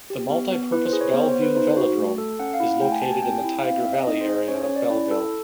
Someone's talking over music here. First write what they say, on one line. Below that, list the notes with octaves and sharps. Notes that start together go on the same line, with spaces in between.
The multi-purpose Bellville Velodrome is located in the Tyger Valley area of Bellville.
G4
B3
B3
E4 B4
C5
G#4
C#5
B3 C5
C5
B3
B4
D#4 C5
F#4
A3
A4
C#4 F#5
F5
E4
F#5
A3 G5
G#5
G4 A5
G#5
C4 G5
E4
C4 F5
E5
C4
D#5
D#4 D#5
C5
G#4
C5
C#4 C#5
C#5
C#4
D5
E4
A4